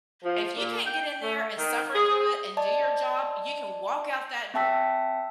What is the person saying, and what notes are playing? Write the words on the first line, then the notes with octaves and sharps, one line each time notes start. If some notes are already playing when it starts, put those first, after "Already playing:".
if you can't get in there and suffer through it and do your job, you can walk out that door,"
F3
A#2
G5
A3
D#3
G#4
D5 D#5 A5
C4 E5 G5 A5 E6 B6